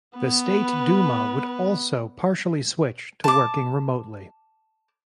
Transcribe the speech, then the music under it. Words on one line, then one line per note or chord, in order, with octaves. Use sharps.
The State Duma would also partially switch to working remotely.
B3 B4
A5 D6